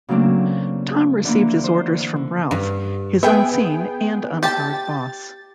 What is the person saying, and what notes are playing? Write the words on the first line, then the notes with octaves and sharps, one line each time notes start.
Tom received his orders from Ralph, his unseen and unheard boss.
C#3 F#3 A3 A#3 C4 D4
D3 E3 A#3
C5
D3
G2
B3 G#4 E5 G5
G4 G5 A5 A6